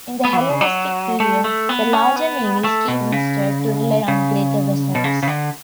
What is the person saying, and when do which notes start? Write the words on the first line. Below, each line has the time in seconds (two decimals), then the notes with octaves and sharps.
In the Hellenistic period, the larger navies came instead to rely on greater vessels.
0.25 B3
0.33 F#3
0.37 E3
0.49 C#3
0.61 F#3
1.20 A3
1.44 A3
1.69 B3
1.93 C#4
2.16 B3
2.64 A3
2.88 B2
3.12 C#3
4.08 C#3
4.95 B2
5.04 C#3
5.23 C#3
5.28 D3